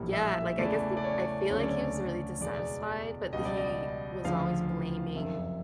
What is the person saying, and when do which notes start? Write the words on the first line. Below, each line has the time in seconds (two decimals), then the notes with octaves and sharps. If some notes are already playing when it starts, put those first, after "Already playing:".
yeah, like I guess think? I feel like he was really dissatisfied, but he was always blaming
Already playing: A#1 A2 E3 G3 A#3
0.13 E5
0.58 E2 C#3 E3 A3 D5
0.97 D5
1.04 C#5
1.50 D2 C#3 F#3 A3 C#4 C#5
1.60 D5
1.69 C#5
2.41 E2 B2 G#3 D5
3.33 C#2 B2 G3 D#5
3.45 D5
3.57 D#5
4.24 D2 C#3 F3 F5
5.15 F#1 F2 C3 E5